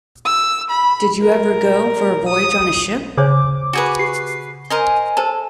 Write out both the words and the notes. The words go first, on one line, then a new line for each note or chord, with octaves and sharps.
Did you ever go for a voyage on a ship?
E6
B5
A#4
D#6
C#3 D4 C5 C#5 D6
F#4 G#4 B4
G4 C7
A#4 C5 D#5 G#5
A4 A#4 C5 A5